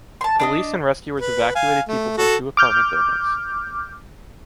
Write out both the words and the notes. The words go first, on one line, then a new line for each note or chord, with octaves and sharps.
Police and rescuers evacuated people from two apartment buildings.
A5 C6
D4 D5 D#5
B4
F5 G#5
A3
F#4 A4
D6 F6 G6